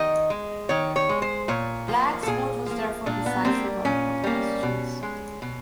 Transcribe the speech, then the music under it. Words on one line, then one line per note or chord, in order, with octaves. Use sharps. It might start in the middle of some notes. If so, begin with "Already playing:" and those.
Black's vote was therefore decisive on both questions.
Already playing: D#3 D#5
G#3
D#3 C#5
C#5
G#3
C5
A#2 C#5
F3 A#3
A4
A#2 G#4
F3 A#3
A#2 D4
B3
G3 A#3 C4
A#2 C#4
G3 A#3
B2
G#3
B2